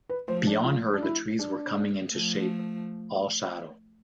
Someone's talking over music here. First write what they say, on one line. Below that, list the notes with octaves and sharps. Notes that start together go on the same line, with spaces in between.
Beyond her the trees were coming into shape, all shadow.
B4
F3 A3 C5
D4
F4
D4
E4
D4
F3 A3